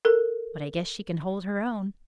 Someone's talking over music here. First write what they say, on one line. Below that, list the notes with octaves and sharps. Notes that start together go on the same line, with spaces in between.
But I guess she can hold her own.
A4 A#4